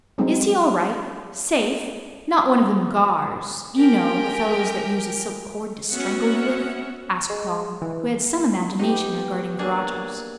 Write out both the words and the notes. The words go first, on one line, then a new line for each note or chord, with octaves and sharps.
"Is he all right--safe--not one of them gars--you know, the fellows that use a silk cord to strangle you with?" asked Thong, who had some imagination regarding garroters.
F#3 G#3 C4 C#4 D#4
G4 A#4 G5 G#5
B3 C#4 F#4 E5 F#5
G#3
E3
B3 D#4 G4
A#3 D4 G#4